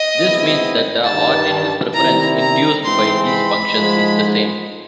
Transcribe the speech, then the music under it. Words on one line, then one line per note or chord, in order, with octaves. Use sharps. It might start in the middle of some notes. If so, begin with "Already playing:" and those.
This means that the ordinal preference induced by these functions is the same.
Already playing: D#5
B2 G#3 C4 E4
G2 D#3 G3 A5
C3 D#3 G3 C4 E4 A#5
A#5
G#2 E3 G#3 C4 C6
B5
G#2 F3 G#3